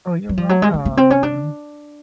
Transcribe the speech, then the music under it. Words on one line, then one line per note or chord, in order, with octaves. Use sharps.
Oh, you're welcome.
F#3
F3
F#3
G#3
A#3
A#3
C4
C#4
D4